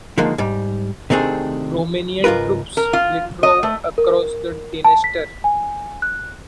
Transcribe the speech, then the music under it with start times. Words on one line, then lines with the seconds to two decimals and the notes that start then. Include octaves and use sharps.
Romanian troops withdrew across the Dniester.
0.18 D3 D#3 F3 G#3 A#3
0.38 G#2 G3
1.10 C3 D#3 A3 C4 D4 G#4
2.24 C#2 G#2 F4 A#4 B4
2.77 A#4
2.93 F4
3.43 D#5
3.63 A3
3.98 A#4
4.85 A5
5.04 B6
5.44 G#5
6.02 F#6